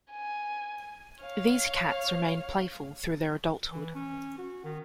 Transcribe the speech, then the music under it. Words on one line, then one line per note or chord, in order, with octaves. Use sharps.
These cats remain playful through their adulthood.
G#5
C#5 F5
E3
C#4
F#4
D#3